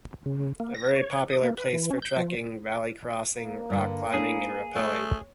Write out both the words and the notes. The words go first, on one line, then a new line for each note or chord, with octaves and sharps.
A very popular place for trekking, valley crossing, rock climbing and rappelling.
C#3
A#3
A#6
C#5
D#6
A#3
B4
E3
C#4
G6
F3
A#3
G2 D3
D4 E4 G#4
A3 C#5